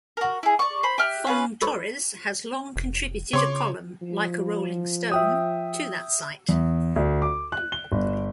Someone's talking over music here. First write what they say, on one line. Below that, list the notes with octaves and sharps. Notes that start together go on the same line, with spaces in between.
Fong-Torres has long contributed a column, "Like a Rolling Stone," to that site.
F#4 A#4
E4 G#4
D5 C#6
C5 B5
G4 E5 F6 F#6
C#4 F4 B4
A4 B4 C#5
F1
C#3 C4 C#5 C6 D6
F3
E5 G5 D#6
E2
D2
D6
F#6
G7
G1